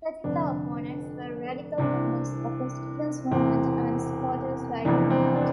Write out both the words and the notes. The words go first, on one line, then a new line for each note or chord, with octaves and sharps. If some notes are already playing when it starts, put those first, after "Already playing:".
Particular opponents were radical members of the students' movement and squatters' rights movement.
F1 F2 D3 D4
C2 C3 E3 D4
E1 E2 C3 E3 C4
F1 E2 C3 E3 D4
C4
D4